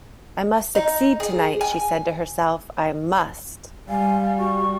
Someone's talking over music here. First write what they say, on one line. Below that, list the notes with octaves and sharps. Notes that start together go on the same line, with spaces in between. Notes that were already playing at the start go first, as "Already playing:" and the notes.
"I must succeed tonight," she said to herself — "I must!"
D#4
G#4
G#5
G3 F5 G#5
F#4 C#6